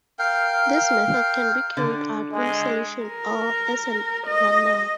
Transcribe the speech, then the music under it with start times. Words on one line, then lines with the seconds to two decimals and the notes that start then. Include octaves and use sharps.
This method can be carried out in solution or as an enamel.
0.19 A#4 F5 G5
1.77 D3
2.32 G#3
3.05 A#4
4.27 D#5